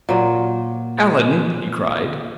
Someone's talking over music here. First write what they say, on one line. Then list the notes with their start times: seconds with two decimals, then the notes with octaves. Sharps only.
"Alan!" he cried.
0.09 A#2 F#3